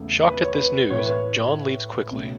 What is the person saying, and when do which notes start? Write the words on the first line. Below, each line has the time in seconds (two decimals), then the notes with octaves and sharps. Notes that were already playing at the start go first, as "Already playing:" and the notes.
Shocked at this news, Jon leaves quickly.
Already playing: E2 C#3 A3
0.29 B4
0.43 C#5
0.54 B4
0.90 A2 E3 A3 C#5
0.99 B4
1.06 C#5
2.11 C#2 B2 A3